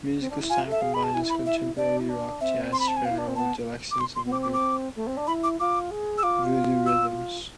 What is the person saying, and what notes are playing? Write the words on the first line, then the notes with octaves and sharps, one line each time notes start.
Musical style combines contemporary rock, jazz funerals, Dixieland and voodoo rhythms.
C4
D4
E4
F4 G#5
A4
E5
G#4 F5
B5
A5
E4 G#5
B5
E5
D4 D5
E4
D4
C4 E5
C6
B5
A5
G#5
E4 F5
D4
C4
B3 A5
D6
C6
C6
B3
C4 D6
D6
D6
A3
C4
D4
E4 B5
D6
F4 D6
G#4
E6
F4 D6
E6